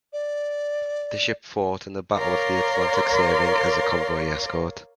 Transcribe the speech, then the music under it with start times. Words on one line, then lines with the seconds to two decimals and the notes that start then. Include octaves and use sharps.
The ship fought in the Battle of the Atlantic serving as a convoy escort.
0.13 D5
2.17 A#4 C#5 D5 F5 A#5 C6